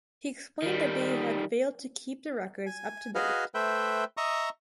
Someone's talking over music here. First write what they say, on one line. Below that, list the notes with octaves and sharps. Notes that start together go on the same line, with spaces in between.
He explained that they had failed to keep the records up to date.
D#3 G3
G#5
F#4 G#4 B4 D#5 F5
A3 B4 C5 E5 G5
D#5 E5 A#5 C#6 D#6